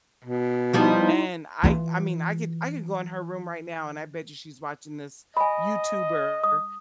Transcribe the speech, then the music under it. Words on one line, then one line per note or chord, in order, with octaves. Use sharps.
And I I mean, I could I could go in her room right now and I bet you she's watching this YouTuber
B2
F3 G3 B3 D#4 E4 C6
E3 F4
D#5 G#5 B5
D#6